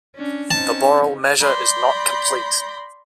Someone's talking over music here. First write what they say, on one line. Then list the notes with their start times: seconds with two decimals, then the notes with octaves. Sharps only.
The Borel measure is not complete.
0.16 C#4 D4
0.51 C4 C#4 D#4 A5
1.40 D5 B5 C6 G6 A#6